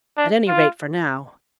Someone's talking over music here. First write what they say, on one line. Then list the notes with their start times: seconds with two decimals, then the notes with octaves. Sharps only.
"At any rate, for now."
0.18 D4
0.48 F4